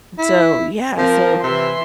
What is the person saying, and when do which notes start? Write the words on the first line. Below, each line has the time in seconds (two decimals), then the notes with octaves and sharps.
And so, yeah. So,
0.19 E4
0.98 F3 C4 F4 A#4
1.43 C3 E3 E5 C6